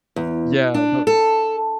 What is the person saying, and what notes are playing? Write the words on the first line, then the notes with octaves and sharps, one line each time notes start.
yeah, but
E2
D4
A4